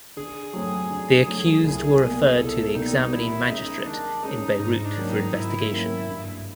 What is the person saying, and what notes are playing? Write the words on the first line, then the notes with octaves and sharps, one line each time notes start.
The accused were referred to the examining magistrate in Beirut for investigation.
D3 G#4
F#3 A3 C4
D3
F#3 A3 C4
C2
B2 G3 A#3
C2 A4
B2 G3 A#3 D#4
D#3 E4
G#3 C#4 D#4
D#3 D4
G#3 C#4 D#4
G#2 D#4
D4
D#3 F#3 A#3 C#4
D#4
G#2 E4
D#3 F#3 A#3 C#4
G2